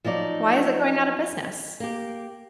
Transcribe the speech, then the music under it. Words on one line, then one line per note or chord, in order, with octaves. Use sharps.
Why is it going out of business?
F3 F#3 D#4 D5
A#3 G4